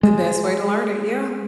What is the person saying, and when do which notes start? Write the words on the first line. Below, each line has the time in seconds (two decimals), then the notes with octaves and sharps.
The best way to learn it, yeah.
0.03 G#3